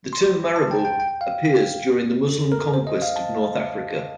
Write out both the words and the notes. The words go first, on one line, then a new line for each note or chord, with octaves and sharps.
The term Marabout appears during the Muslim conquest of North Africa.
C6
A5
G5
G5
G5
F5
A4
A#4
C5
D#5
F5
A5